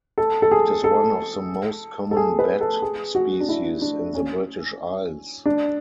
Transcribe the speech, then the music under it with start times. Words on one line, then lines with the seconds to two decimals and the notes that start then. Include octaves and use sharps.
It is one of the most common bat species in the British Isles.
0.18 A4
0.42 A4
0.52 G#4
0.84 A4
2.11 A4
2.17 G#4
2.39 B4
2.61 A4
2.82 G#4
3.15 F#4
3.40 D4
3.49 E4
3.82 D4
4.15 C#4
5.46 D4